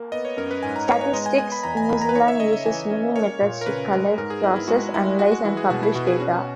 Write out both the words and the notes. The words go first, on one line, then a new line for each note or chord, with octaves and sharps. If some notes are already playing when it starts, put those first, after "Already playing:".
Statistics New Zealand uses many methods to collect, process, analyze, and publish data.
Already playing: A#3
B3 D#5
C#5
F#2 A#4
B4
G#2 G#5
A#5
B3 C#5
C#5
G#3 D#5
G#5
B3 G#5
B5
E2 A#5
G#5
E2 B5
A#5
B4
D#4 C#5
E5
C#3 D#5
E5
E3 G#5
C#4
A#3 C#5
A#2
A#4
C#3 B4
G#3 A#4
G#2 A#4
G#4
B3 E4
E4
G#3 F#4
G#3 E4
G#3 F#4
F#4
E3 E4
G#4
B2 F#4
E4
B2 F#4
G#4
C#4 F#4